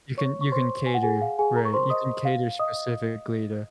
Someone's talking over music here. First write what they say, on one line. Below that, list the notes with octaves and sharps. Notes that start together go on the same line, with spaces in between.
You can you can cater, right? You can cater specifically to
C#5 C#6
C#6
C5 C6
G#5
F#5
G#4 G#5
F5
G#4 G#5
A#4 A#5
C#6
C5 C6
D#5 D#6
F5
D#5 D#6